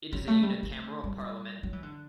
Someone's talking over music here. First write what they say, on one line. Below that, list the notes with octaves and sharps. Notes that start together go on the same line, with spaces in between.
It is a unicameral parliament.
F#3
A3
G3
A3
G3
F#3
E3
D3